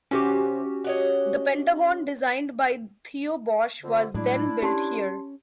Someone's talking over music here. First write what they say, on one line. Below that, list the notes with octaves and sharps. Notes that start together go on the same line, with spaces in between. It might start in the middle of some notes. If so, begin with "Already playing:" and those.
The Pentagon designed by Theo Bosch was then built here.
C3 C#4 F#4 G4
C#5 D#5 F#5
F2 D3
A2 F#3 G#3 D4 E4
C#4 G4 A5 C6